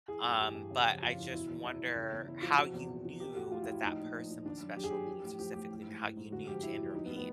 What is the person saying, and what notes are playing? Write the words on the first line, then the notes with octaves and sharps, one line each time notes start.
um but I just wonder how you knew that that person was special needs specifically and how you knew to intervene?
E3 G#4
G2
E3 G4
G2
C#3
F2
F2 F4
E3
B2 E4
E2
E2 E4
F#3
C#3
E2
E2 E4
F3 F4
C3 F#4
E2
E2
F3
F3 G4
A2 F#4
F3 F4
E4
A2
E4
F3 D#4
A#2
F3
A#2
D#3 D4
F#2
F#2 G4
G#4
F#3 G4
F3
A2
F3 G4
A2 G4
E3
G#2
E3
G#2
D3 F#4
F2 G4
F2 E4
F#3
F3 D#4
B3
A2
B3